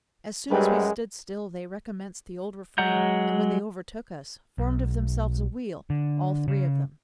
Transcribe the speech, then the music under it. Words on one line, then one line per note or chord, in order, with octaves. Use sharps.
As soon as we stood still, they recommenced The old refrain, and when they overtook us, Formed of themselves a wheel, all three of them.
F#2 G3 G#3 G4 B4
F#3 G#3 F#5 A#5 G6
B1
D3
C#3